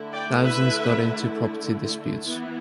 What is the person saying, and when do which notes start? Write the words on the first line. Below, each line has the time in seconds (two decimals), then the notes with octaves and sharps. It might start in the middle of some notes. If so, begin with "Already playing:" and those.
Thousands got into property disputes.
Already playing: D3 A3 E4
0.12 D5 G5
0.43 B4 E5
2.25 E3 B3 E4